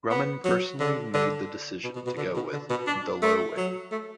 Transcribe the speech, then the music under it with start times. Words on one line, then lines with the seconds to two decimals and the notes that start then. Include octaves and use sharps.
Grumman personally made the decision to go with "the low wing".
0.11 B3
0.45 F#3
0.80 D3
1.14 D3
1.84 B2
1.95 B2
2.07 B2
2.18 D3
2.36 B2
2.52 D3
2.70 B2
2.87 D4
3.22 A3
3.57 F#3
3.92 A3